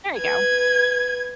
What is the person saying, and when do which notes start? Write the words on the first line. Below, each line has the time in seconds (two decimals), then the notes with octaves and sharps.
There you go.
0.17 B4 G#6